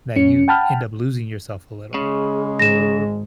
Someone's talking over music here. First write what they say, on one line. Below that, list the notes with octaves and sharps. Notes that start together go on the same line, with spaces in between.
that you end up losing yourself a little.
F#2 C#4 C#7
F#5 G5 A5 B5 F6
C#3 G#3
G#1 G#2 A#6 E7